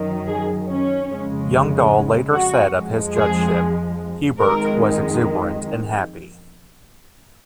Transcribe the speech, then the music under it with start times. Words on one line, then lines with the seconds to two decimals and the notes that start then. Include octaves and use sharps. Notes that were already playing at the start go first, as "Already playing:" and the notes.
Youngdahl later said of his judgeship: Hubert was exuberant and happy.
Already playing: F#2 D#3 F#3
0.27 G#4
0.68 C#4
1.09 F2 C#3 G#3
2.34 F#4
2.74 F2 F3 G#3
3.15 G#4
4.40 F2 D#3 G#3 A#4